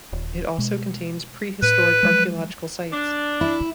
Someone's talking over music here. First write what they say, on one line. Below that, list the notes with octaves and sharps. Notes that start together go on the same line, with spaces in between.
It also contains prehistoric archaeological sites.
D#1
B2 G#3
A2 B4
F3 F#3 G#3
D4
E4